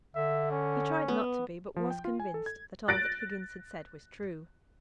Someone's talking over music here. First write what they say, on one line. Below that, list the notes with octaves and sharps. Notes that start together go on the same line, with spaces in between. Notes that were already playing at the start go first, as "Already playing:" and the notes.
He tried not to be, but was convinced that all that Higgins had said was true.
D3 E5
C#4
B3
F3
G5
F4
G#5
A4
G#6
F#6 A6 A#6 D7